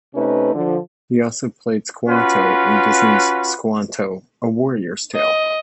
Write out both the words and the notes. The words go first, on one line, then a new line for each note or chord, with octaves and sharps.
He also played Squanto in Disney's Squanto, a Warrior's Tale.
C3 A3 C#4 D#4 B4
D3 F3
C#4 F4 F#4 B4
D#5